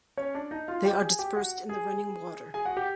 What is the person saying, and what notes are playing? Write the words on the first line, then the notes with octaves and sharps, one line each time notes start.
They are dispersed in the running water.
C#4 C#5
D4 D5
D#4 D#5
F4 F5
G4 G5
G#4 G#5
G4 G5
F#4 F#5
G#4 G#5
G#4 G#5
F#4 F#5
G4 G5